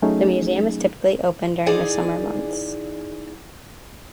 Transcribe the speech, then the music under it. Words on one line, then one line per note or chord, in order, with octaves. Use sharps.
The museum is typically open during the summer months.
F#3 A3 C#4 D#4 G#4
E2 D#4 G#4 D5 G#5